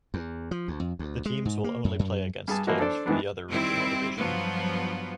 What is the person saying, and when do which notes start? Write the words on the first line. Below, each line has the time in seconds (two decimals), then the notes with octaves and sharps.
The teams will only play against teams from the other regional division.
0.14 E2
0.51 F3
0.68 D2
0.80 F2
0.99 D2
1.26 G#3
1.45 G#2
1.64 A#3
1.84 F#2
1.99 F#2
2.48 G2 G#4 A5
2.67 E3 F3 A#3 D#4 E4 F#4
2.79 D4 A4 C5 D5
3.06 G#2 D#3 E3 B3 D4
3.49 D#3 G3 C4 E4
4.18 G2 F3 F#3 B3